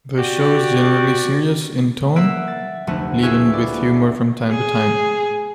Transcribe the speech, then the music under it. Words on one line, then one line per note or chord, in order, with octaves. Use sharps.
The show is generally serious in tone, leavened with humor from time to time.
F#4 G4 D5
A#3 E5 F#5 D7 E7
A6
F1 D2 A3 F#5
E4 F#4 G#4 B4 E5 F5
D5
G#4